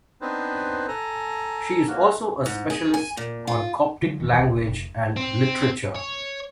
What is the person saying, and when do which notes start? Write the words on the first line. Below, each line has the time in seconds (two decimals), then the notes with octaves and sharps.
She is also a specialist on Coptic language and literature.
0.22 B3 C4 D4 D#4 B4 C5
0.88 A4 G#5 A#5
1.88 A#3 C#4 F#4
2.46 G#2
2.70 G#4
2.94 G#5
3.17 A#2
3.47 F4
4.02 D3 F3 F#3 G#3
4.19 F1 D#3 E3
4.39 F#1 C#2
4.51 D1
4.68 F1
5.16 C4
5.95 C#5